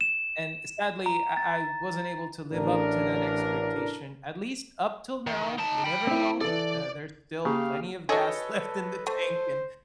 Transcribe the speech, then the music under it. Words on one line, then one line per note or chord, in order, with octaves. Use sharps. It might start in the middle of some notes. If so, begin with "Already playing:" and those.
and sadly, I I wasn't able to live up to that expectation, at least up till now, you never know, uh, there's still plenty of gas left in the tank, and,
E7
A#5
A6
A1 D4 A#4
D#3
D#4 A5
G5 B5
C4 E4
E3 A4 D5
C#3 A#3 G4 G#4 F5
F#4 G#4 A4 B4 C#5 D#5
A3 C5